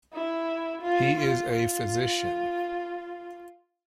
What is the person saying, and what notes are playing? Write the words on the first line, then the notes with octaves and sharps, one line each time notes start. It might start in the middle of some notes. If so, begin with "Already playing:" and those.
He is a physician.
E4
F4
F4
F4